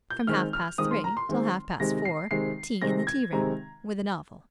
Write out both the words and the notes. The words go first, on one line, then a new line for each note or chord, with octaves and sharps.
From half past three till half past four tea in the tearoom, with a novel.
G6
D#3 G#3 C4 F6
F6
D#3 G#3 C4 D#6
C6
A#5
C6
D#3 G#3 C4
C3 D#3 G#3 C4 A#6
C7
C3 D#3 G#3 C4 C7
C3 D#3 G#3 C4 A#6
G#6
C3 D#3 G#3 C4 A#5